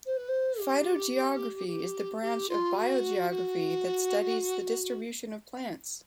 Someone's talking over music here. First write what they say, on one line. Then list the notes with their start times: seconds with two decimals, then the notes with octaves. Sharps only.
Phytogeography is the branch of biogeography that studies the distribution of plants.
0.06 C5
0.17 B4
0.28 C5
0.59 G4
1.67 G4
2.22 G4
2.49 F4
2.75 F#4
3.30 F#4